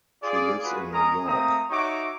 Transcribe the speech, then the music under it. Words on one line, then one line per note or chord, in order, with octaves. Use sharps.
She lives in New York.
F4 G#4 D5
F4 F#4 G#4 B4
G#3 C#4 A#4 A#5 D#6
A3 A#3 C4 A#5 D#6
D#4 F#4 C#5 E5 C#6 D6